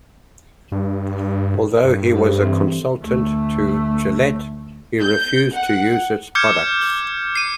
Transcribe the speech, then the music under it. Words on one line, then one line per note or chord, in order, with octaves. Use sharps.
Although he was a consultant to Gillette, he refused to use its products.
G2
G2
G4 A4 C5
E3 C4
D2 A3
G6
F#5
D6 F6 G6 G#6 C#7
C7 D#7